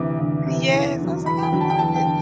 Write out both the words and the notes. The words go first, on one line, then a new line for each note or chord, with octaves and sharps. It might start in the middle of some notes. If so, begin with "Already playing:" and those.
yes, I was like, "I love it."
Already playing: D2 C3 E3 D6
D2
C3 E3
E2
D3 F#3
E2 B5
G5
D3 F#3
A5
G5
E2 A5
G5
D3